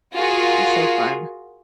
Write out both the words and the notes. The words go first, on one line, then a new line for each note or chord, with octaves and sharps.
was so fun.
F4 F#4 G#4 A#4